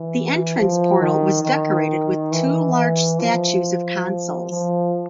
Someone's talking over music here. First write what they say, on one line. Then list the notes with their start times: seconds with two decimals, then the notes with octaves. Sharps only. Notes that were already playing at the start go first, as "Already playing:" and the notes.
The entrance portal was decorated with two large statues of consuls.
Already playing: E3
0.56 F3
1.00 D#3
1.44 D#3
2.32 E3
3.19 F3
4.51 F3